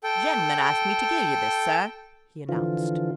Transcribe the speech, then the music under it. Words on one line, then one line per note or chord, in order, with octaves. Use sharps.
"The gentleman asked me to give you this, sir," he announced.
A4 G5
D3 E3 F3 F4